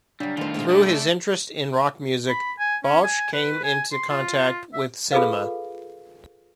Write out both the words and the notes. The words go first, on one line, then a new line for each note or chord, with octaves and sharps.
Through his interest in rock music, Bausch came into contact with cinema.
C#3 F#3 G3 D4
A2 D#3 G3 A3 F4 C5
B2 G#3 C4
A3 G#4 A4 D5
B5
G#5
C#4
G#5
B4
G#5
C6
F4
E5
F4 G#4 A4 B4 F5